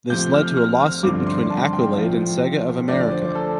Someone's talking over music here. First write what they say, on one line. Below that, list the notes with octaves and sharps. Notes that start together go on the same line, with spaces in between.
This led to a lawsuit between Accolade and Sega of America.
C3 F3 A3 G6
F6
F6
F6
G2 D3 F3 C4 F4 D6
C6
A5
G5
A2 F3 A3 F4
D3 F3 A3 D5
C5
A4